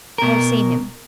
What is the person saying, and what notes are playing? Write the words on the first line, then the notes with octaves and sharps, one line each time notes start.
"I have seen him."
B2 A#4